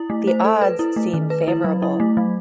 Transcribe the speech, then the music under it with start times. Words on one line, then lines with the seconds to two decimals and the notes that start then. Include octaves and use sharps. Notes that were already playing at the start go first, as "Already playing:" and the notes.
The odds seem favourable.
Already playing: E4
0.10 A3
0.28 C5
0.45 A4
0.62 B4
0.79 E4
0.96 A3
1.14 D#3
1.30 B4
1.48 E4
1.64 F#3
1.82 E4
2.00 A3
2.17 F#3